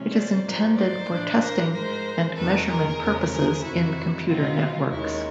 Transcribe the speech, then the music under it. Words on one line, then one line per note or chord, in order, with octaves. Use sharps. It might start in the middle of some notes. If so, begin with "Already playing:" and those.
It is intended for testing and measurement purposes in computer networks.
Already playing: C3 F3 G#3 C#4
C5 D5
G#2 F3 A#3 D#4
C5 D5
A2 E3 A3 D4
A#4 C5
G#2 F3 G#3 A#4 C5
E2 C3 D#3 A4 B4
G#4 A#4
E2 C#3 F3 A3
G#4 A#4
F2 C3 D#3 E4 F#4
B2 G#3 C4 D#4 F4
D#2 D#3 G#3 C#4 E4